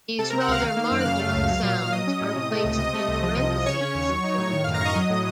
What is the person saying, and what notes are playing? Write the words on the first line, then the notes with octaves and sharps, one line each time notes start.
These rather marginal sounds are placed in parentheses in the chart.
C3 A4 A5
C4 A#4 A#5
F#5 F#6
C#2 F5 F6
D#3
A#3
F#2
F#6
C#3 F5 F6
A3
C#2
F#3
A#2
A#2
F#3 D#5 D#6
C#4
A2
C3
A3
C#2
C3 D#5 D#6
A3
C2
F3
C3
C3
C#3 C#5 C#6
C#4
D#2
F#3
D#4
A2
D#3 C#5 C#6
F#2 F5 F6
A#5 A#6
F#2 D#5 C#6 D#6
F#3
A2